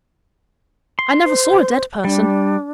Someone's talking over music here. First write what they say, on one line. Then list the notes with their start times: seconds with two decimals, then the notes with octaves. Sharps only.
'I never saw a dead person.
0.99 C6
1.25 C5
2.04 G3 D4